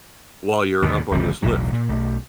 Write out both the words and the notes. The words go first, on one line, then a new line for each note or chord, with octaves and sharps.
While you're up on this lift.
D#2 G#2 B2 D3
D1 G1 C#2 F3
E1 B1 A2 F#3
A#2
B1 A3